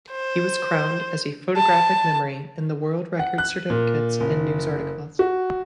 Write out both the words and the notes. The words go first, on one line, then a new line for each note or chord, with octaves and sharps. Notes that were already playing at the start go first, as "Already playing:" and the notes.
He was crowned as "photographic memory" in the world record certificates and news articles.
C5
A5
F#5
F#6
A#2
F#1
F#4